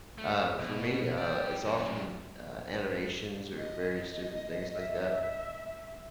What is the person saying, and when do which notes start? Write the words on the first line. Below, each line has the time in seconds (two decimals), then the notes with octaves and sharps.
uh, for me, uh, it's often, uh, animations or various different things like that,
0.18 A3
0.59 B2
1.18 D5 G5
1.65 F#2 D#3
3.58 D#5
4.75 E5